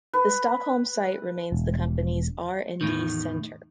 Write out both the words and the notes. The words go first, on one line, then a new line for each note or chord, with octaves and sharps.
The Stockholm site remains the company's R and D center.
B4
E1
E2 A2 D#3